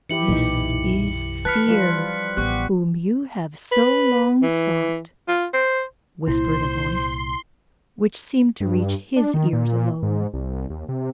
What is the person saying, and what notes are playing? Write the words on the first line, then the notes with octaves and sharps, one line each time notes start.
'This is fear whom you have so long sought,' whispered a voice, which seemed to reach his ears alone.
E3 E4 G4 C#7 F#7
B1 F#2 A#2 D#4
D#3 B4 A5 F6 F#6 B6 C#7
F3 G3 F4
A1 B3 G4 C#6 F#6
B4
E3
F4
C5
C2 A#2 E4 C5 C6
G2
D4
D#3
A#2
G#2
C2
D#2
C3